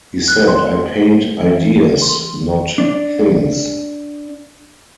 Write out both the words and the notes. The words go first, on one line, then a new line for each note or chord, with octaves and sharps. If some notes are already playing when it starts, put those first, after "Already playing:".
He said I paint ideas, not things.
F#6
C6
E3
C6
D4 D5